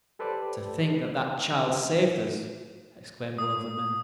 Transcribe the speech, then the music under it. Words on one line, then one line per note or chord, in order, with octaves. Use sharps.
"To think that that child saved us!" exclaimed one of the men.
G4 A4 B4 C5 D5 A5
D#6